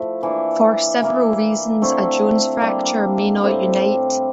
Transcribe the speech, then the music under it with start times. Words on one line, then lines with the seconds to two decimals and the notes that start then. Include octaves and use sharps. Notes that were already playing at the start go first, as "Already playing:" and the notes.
For several reasons, a Jones fracture may not unite.
Already playing: F3 A3 E4
0.23 E3 A#3 D4
1.02 E3 A#3 E4
1.82 D3 A3 C4 E4
2.61 G3 A#3 D4
3.41 A2 G3 C4 G4